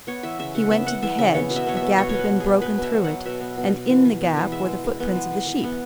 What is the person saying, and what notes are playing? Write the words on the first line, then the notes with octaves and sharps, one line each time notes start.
He went to the hedge; a gap had been broken through it, and in the gap were the footprints of the sheep.
B3 C#5
E3 E5
C#3 E5
C#3 F#5
B3 E5
B3 F#5
E3 E5
C#3 E5
B3 C#5
B2
E5
B3 C#5
E5
B3
B2 C#5
B3 C#5
B4
B3
G#4
B3
B2 B4
B2
E5
F#3
B3 F#5
B2 E5
B3
B2
B2
E3
E3
B3
E3
G#3 E5
E3
G#3
B3
E3
E3
E3
B3